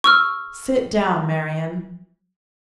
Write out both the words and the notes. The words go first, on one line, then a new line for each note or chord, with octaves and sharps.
Sit down, Marian.
C#6 E6 F6